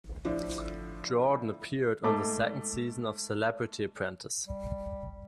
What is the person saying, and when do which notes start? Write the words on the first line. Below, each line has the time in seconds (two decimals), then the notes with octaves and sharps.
Jordan appeared on the second season of "Celebrity Apprentice".
0.25 A2 D3 F3 D4
2.04 G#2 A3 D6
4.47 G3